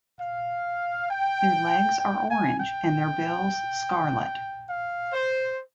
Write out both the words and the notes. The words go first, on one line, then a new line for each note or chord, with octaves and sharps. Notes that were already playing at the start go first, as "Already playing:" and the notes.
Their legs are orange and their bills scarlet.
F5
G5
G5
G#5
G5
F5
C5